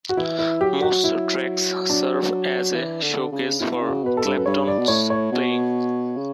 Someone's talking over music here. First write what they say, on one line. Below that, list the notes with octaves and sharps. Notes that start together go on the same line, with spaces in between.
Most tracks serve as a showcase for Clapton's playing.
F#4
E3 E4
E4
F#3 G4
F#4
E4
D4
E3
D3
C#3
B2 E4
C#3
F#4
B2 B4
A4
G2
F#2 B4
G2 C#5
D5
B2
A2 C#5
C#5
B2
C#3